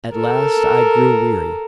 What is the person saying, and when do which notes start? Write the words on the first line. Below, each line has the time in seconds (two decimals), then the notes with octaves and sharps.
At last I grew weary.
0.13 A4 A#4